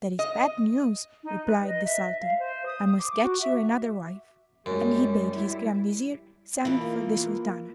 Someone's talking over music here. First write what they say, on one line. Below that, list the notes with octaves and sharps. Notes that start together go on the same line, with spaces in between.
'That is bad news,' replied the Sultan; 'I must get you another wife.' And he bade his Grand Vizir send for the Sultana.
D#5
D#4
B4
D#5
E5
F5
C5
D#6
D6
F#4
E5
F#2 G3 G#3
G3 E4
B2 E3 A#3 F4